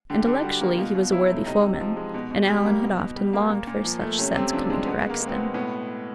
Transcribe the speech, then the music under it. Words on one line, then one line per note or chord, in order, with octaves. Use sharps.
Intellectually he was a worthy foeman, and Alan had often longed for such since coming to Rexton.
D3 G4
D3
G4
G3 F#4
A#3
B2 F4
B2
F#3 E4
A3
C3 D#4
C3
F3
G#3
B2
B2
G3
A#3
B2
B2
G3
A#3
A#2
A#2
F3
A3
C3 C#4
C3 C4
F3 D4
G#3 D4
B2 B3
G#3
A#3
G#3
C4
B3
B2
A2 B3